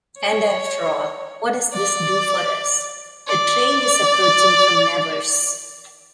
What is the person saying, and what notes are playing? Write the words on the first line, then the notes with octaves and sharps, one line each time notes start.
And after all, what does this do for us? The train is approaching from Nevers.
C#5
D5
D5